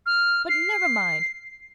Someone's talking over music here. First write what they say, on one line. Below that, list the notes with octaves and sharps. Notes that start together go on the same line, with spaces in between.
But never mind.
F6
C7